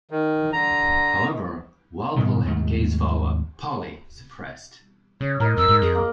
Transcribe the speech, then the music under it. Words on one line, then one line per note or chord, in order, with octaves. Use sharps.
However, Walpole had Gay's follow up, "Polly", suppressed.
D#3
D3 A#5
G#2 B2 D#3 G3
D#2 G#2 A3
C#3 C#5
A2 A#4 D#5
F2 E6
G#2
F2 G#4
A#3